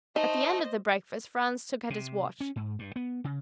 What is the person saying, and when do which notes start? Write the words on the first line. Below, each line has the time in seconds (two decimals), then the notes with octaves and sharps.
At the end of the breakfast Franz took out his watch.
0.16 D#4 C5 D#5 E5 A5
1.90 C3
2.40 C#4
2.56 G#2
2.79 G2
2.96 B3
3.24 C#3